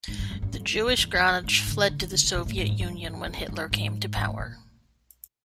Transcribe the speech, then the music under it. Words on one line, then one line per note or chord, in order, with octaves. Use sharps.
The Jewish Granach fled to the Soviet Union when Hitler came to power.
G#2
G2
F#2
F#2
F2
E2
F2
E2
E2
F2
G#2
D3
D3
E3
D3
C3
B2
A2
G#2
F#2
G2
F2
F2
G2
G2
G#2
G#2
A2
A#2